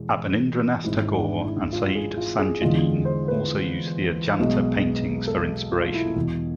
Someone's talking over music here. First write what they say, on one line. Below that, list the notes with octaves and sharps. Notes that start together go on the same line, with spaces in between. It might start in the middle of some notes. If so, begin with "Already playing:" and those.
Abanindranath Tagore and Syed Thajudeen also used the Ajanta paintings for inspiration.
Already playing: E2 B2 G#3
G#1 G#2 G#3 E4
D4
E4
F4
G#4
F4
G#4
E2 D3 G#3 F4
C5
B4
B1 B2 G#3
A4
F4
E4
E1 E2 B2